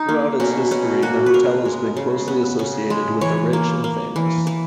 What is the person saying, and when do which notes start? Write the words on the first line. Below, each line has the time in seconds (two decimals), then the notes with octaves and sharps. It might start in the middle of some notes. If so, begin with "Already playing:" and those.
Throughout its history the hotel has been closely associated with the rich and famous.
Already playing: D#4
0.09 A#3
0.40 B2 C#4
0.71 B2 C#4
1.02 A#3 F#4
1.26 B4
1.33 C#3 A#4
1.65 G#3
1.97 C#3
2.28 B3
2.59 C#3
2.90 G#3
3.21 E3 C#5
3.53 A#3
3.84 A#3
4.16 E3
4.47 E3